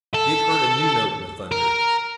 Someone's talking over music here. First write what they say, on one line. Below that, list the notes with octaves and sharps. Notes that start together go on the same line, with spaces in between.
Dick heard a new note in the thunder.
A4
A#4